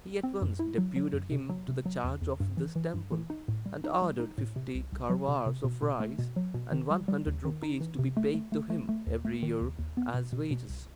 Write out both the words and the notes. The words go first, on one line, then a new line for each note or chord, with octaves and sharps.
He at once deputed him to the charge of this temple, and ordered fifty kharwars of rice and one hundred rupees to be paid to him every year as wages.
C4
F#2
E4
F#3
F#3
F#2
C3
F#3
C3
F#3
E2
E2
G2
E3
E3
G2
E3
D#4
A2
G3
D#4
G3
D#4
A2
C3
C2
C2
F#3
C3
C3
B2
B2
A3
B2
F#3
B2
D#3
G3
G3
D#2
D#3
D#4
E3
C3
A3
A3
A3
A3
A3
D#2
A3
D#3
D#2
D#2
B3
B2
B2
B2
C2